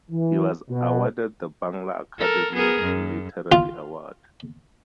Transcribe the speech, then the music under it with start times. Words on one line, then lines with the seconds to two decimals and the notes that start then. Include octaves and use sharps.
He was awarded the Bangla Academy Literary Award.
0.11 E3
0.70 B2
2.19 A4 A#4
2.54 B3 G#4 A#4
2.83 F#2
3.52 F4